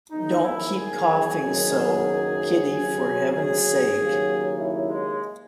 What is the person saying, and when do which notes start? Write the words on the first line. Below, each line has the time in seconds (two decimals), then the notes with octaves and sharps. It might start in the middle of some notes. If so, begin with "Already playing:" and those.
Don't keep coughing so, Kitty, for Heaven's sake!
0.11 F#1 E2 D#3 F#3 D#4
0.43 E4
0.75 G#4
1.39 F#1 F#2 D#3 F#3
2.66 D#2 C#3 F#3
3.30 G#4
3.94 D#2 C#3 F#3
4.58 E4
4.90 G#3